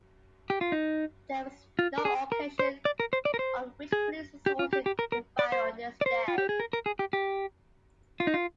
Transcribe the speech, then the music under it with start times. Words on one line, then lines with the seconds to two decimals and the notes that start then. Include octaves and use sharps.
There was no occasion on which police resorted to firing on this day.
0.50 G4
0.61 F4
0.72 D#4
1.79 F4
1.98 A#4
2.05 G#4
2.32 A#4
2.59 C5
2.85 D5
3.00 A#4
3.13 C5
3.25 D5
3.34 A#4
3.39 C5
3.93 G#4
4.46 G4
4.59 F4
4.73 G4
4.86 G4
4.99 A#4
5.12 A#4
5.39 D5
5.52 C5
6.01 D5
6.06 C5
6.28 F4
6.38 G4
6.49 G#4
6.60 A#4
6.73 A#4
6.86 G#4
6.99 G4
7.13 G4
8.20 F4
8.27 D#4
8.34 F4